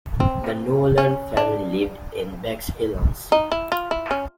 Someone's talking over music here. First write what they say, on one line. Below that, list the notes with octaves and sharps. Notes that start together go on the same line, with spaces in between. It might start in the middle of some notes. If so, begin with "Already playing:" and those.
The Nolan family lived in Bexhill-on-Sea.
C4
C#4
D4
D#4
E4
F4
E4
C#4